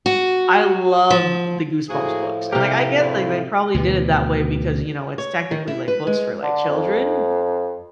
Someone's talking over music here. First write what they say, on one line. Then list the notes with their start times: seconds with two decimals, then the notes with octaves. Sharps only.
I loved the Goosebumps books, and, like, I guess, like, they probably did it that way because, you know, it's technically, like, books for, like, children,
0.06 F#4
1.10 F3
1.89 A2 F3 A#3 F#4 G#4
2.52 C3 A#3 E4 G4 A#4
3.00 D2 C#3 E4
3.74 D2 B2 E3
5.18 C#5
5.51 D#3
5.68 E4
5.88 B4
6.07 G#3
6.42 D3
6.68 F2